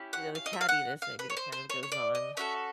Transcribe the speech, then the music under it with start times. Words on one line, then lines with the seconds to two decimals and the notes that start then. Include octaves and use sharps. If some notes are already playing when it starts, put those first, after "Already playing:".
you know, the cattiness, maybe, that kind of goes on.
Already playing: C#4 E4 G4
0.13 F#5
0.35 F5
0.46 D#5
0.53 E5
0.61 F5
0.69 F#5
1.02 F5
1.19 B4
1.30 C#5
1.37 C5
1.52 C5
1.70 C#5
1.83 C#5
1.92 D5
2.15 D#5
2.37 C#4 F#4 A4 E5